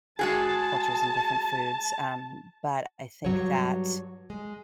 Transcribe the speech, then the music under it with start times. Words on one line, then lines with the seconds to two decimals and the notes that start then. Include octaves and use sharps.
cultures and different foods, um, but I think that
0.19 G#3 F#4 G#4 A5
3.25 G2 B2 F#3 C#5
4.30 G#3